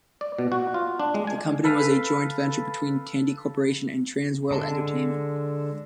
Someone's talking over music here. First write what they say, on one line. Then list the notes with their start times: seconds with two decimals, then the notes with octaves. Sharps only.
The company was a joint venture between Tandy Corporation and Trans World Entertainment.
0.21 D5
0.39 B2
0.52 F#4
0.74 F4
1.00 D4
1.14 G#3
1.27 G#5
1.64 A4 B4 F5
4.51 D3 G#3 A5